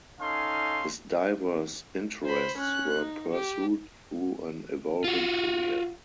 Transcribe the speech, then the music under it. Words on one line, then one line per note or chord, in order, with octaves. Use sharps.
His diverse interests were pursued through an evolving career.
C#4 D#4 A4 F5 G#5 C6
C5 B5
C#4 F#6
D#4
G4
F4 F#4